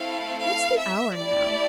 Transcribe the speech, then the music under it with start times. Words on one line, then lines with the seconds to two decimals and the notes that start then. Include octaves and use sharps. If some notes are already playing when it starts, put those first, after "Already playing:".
What's the hour now?
Already playing: A3 C4 E4 A4 F5
0.41 F5
0.79 E5
1.16 A3 E4 G4 D5